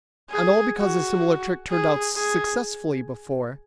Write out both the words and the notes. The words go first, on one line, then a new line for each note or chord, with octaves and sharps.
And all because a similar trick turned out successfully before!
G#4
F#4
G#4
G#4